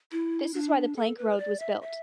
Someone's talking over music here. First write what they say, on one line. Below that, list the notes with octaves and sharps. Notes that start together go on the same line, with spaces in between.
This is why the Plank Road was built.
E4
D4
A4
B4
D5
E5
E5